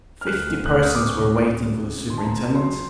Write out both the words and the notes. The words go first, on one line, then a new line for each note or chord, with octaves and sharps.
Fifty persons were waiting for the superintendent.
F6
D2 F#6
D2
F#6
C3 F6
D#6
D2 D6
C#6
C3 D6
C#2
C3
C#2
D#3 C6
A5
A#5
D#3
F#3 C6